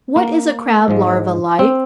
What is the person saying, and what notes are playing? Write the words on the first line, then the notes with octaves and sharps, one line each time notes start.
What is a Crab larva like?
A#3
G#2 F3 G#3
C4